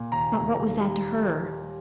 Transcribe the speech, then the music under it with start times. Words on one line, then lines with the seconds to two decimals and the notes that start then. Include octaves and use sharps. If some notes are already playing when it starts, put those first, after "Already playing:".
But what was that to her?
Already playing: A#2
0.12 D#2 A#5
0.35 D#2
0.58 D#2
0.81 G3